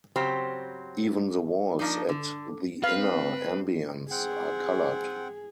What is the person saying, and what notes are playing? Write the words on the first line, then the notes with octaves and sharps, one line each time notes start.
Even the walls at the inner ambience are coloured.
C#3 F#3 C4 G4 C5
F3 A#3 D4 D#4
D3
C4 B4 F5
C4 G#4 F#5 G5